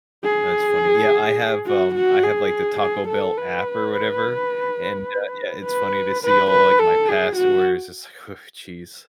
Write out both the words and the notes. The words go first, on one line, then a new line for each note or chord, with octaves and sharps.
That's funny. Yeah, I have, um I have, like, the Taco Bell app, or whatever, and, uh, yeah, it's funny to see all, like, my past orders, it's like, "Oh, jeez."
G#4
F#4
F#4
G#4
G#4
A4
B4
B4
B4
B4
A4
G#4
F#4